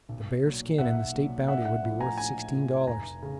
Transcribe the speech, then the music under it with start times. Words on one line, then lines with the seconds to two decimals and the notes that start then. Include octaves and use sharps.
The bear's skin and the state bounty would be worth sixteen dollars.
0.09 B1
0.43 A#2 F#3
0.78 B1 E5 F#5
1.14 A#2 F#3
1.48 A#1 E5 F#5
1.65 E5 F#5
1.83 A2 F3
2.01 G#5 A#5
2.18 A#1 G#5 A#5
2.53 A2 F3
2.87 F1 G#5 A#5
3.22 C#3